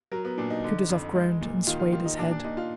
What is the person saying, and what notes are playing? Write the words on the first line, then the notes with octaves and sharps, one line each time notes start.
Kutuzov groaned and swayed his head.
F#3 A#4
B3
A#2 D4
D#4
D3
F2
G#3
A#2
D#3 F4
F4
D#3 F4
D#4
A#2 D4
D4
A#2 D#4
F4